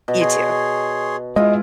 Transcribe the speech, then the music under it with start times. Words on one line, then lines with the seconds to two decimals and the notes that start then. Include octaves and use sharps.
You too.
0.08 B2
0.21 G#4 C#5 C6
1.36 G#3 E4 F4 G#4 D#5